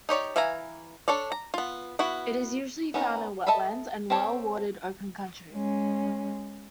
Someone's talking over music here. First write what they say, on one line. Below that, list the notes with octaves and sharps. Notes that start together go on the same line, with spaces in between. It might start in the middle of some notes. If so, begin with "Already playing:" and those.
It is usually found in wetlands and well-watered open country.
D#4 G4 C#5 D5
E3 E5 F5 G#5 A#5
D4 A4 C#5 D5
A#5
B3 F4
B3 E4 F#4
B3 C#4 D#4 A#4
A4 D#5 E5 A5 B5
C4 G4 A4 C#5
G#3 C#4